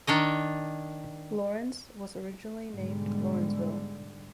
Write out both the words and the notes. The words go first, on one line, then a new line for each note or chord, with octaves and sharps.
Laurens was originally named Laurensville.
D#3 D4 C#5 D#5
G#2 B2 D3 G3 G#3